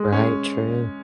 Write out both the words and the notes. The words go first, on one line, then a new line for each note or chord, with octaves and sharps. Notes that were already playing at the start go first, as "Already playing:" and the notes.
Right, true.
Already playing: G#3
C#4